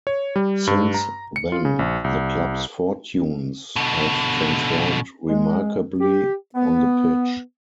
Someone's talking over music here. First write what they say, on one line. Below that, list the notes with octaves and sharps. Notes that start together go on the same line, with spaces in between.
Since then, the club's fortunes have transformed remarkably on the pitch.
C#5
G3
G2
A#5
C#7
F4
C#3
A#1
C2
B2 D3
G#3
G4
B3